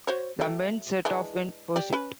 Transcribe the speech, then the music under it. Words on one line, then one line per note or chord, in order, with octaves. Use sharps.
The men set off in pursuit.
F#4 C5 C#5
F#3 A3 G5
E3 G#3 D4
G4 D5
C#4 B4